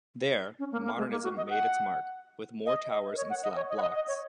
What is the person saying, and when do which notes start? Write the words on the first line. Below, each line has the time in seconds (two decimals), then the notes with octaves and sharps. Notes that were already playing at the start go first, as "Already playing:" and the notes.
There, modernism made its mark, with more towers and slab blocks.
0.59 C#4
0.72 A#3
0.85 A#3
0.98 G#3
1.11 A#3
1.23 F#4
1.37 D#5
1.50 F#5
2.66 D#5
2.91 D#5
3.13 A#4
3.17 C#5
3.30 F#5
3.43 D#5
3.56 C#5
3.69 D#5
3.77 F#5
3.82 D#5
3.95 D#5
4.08 C#5